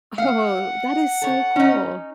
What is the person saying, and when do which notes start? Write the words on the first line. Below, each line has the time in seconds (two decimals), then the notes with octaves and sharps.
Oh, that is so cool.
0.18 F5 F#5
1.22 A4 C#5
1.56 C#4 D#4